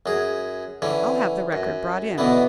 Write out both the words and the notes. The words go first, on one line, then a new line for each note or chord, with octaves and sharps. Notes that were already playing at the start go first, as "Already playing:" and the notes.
"I'll have the record brought in."
F#2 G#4
D3 E3 C#4
F#2
B2 D3 E3 B3